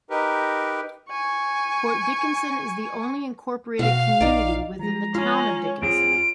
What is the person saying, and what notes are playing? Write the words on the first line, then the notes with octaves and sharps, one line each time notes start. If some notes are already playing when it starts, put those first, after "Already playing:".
Port Dickinson is the only incorporated community within the town of Dickinson.
D#4 G4 A#4 B4
G#5 C#6
B2 F#4 F5
A#1 D#4 D5
F3 G#3 A#5
C#4 F4 G#5
F2 C4 F4 G#4 D7